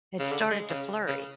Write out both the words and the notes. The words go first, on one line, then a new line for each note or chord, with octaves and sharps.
it started to flurry,
C#3
D3
G#3
C#3
C#3